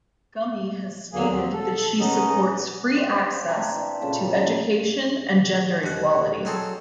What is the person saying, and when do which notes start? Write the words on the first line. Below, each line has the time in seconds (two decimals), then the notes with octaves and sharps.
Gummi has stated that she supports free access to education and gender equality.
1.13 D#2 D3 F#3 A#3 G#4
1.31 F#3 C4
1.53 A4
2.00 B3 C#4 D#4 D#5
2.96 C4 G4 D5
3.17 C4 F5
3.49 D4 G4 E5 A#5
3.76 E3
4.01 A#2 C#3 A4
5.83 D#2 F#5
6.45 F#3 C4 G#4 A4